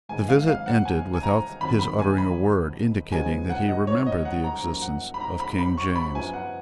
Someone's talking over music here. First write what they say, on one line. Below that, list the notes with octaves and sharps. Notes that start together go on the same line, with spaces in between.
The visit ended without his uttering a word indicating that he remembered the existence of King James.
G#2 D#3 G#3 B3 G#5
F5
F5
F#5
G#5
G#5
A#5
F2 D#3 F#3 B5
B5
G#5
B5
C#3 F3 G#3 B3 G#5
F#5
D#5
C#5
D#5
F#5
A#5
F#2 F3 A#3 A#5
F#5
B5
A#5
B5
B5
C#6
B5
F#2 F3 B3 G#5
F#5